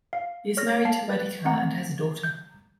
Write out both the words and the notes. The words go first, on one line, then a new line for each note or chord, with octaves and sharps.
He is married to Radhika and has a daughter.
F5
C#5 F6 A#6
F5 A5 C7
B4
A3 C4 F#5 A#5
G6